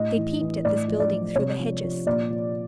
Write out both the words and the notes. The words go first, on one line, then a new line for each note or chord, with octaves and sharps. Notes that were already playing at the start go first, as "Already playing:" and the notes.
They peeped at this building through the hedges.
Already playing: A2 D#5
E3
E3
A2 D5
F3
D5
F3
C3 C#5
F3
F3
A#2 D5
F3